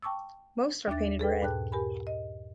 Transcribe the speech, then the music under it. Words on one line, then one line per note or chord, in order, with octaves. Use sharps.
Most are painted red.
G5 A5 C#6 D6 E6
D#2 D4 E5 D6 A6
G#4 A4 B4 G5
G2 A#2 G#4 G5 A5 F#6
G4 A#4 G#5 B5
D#5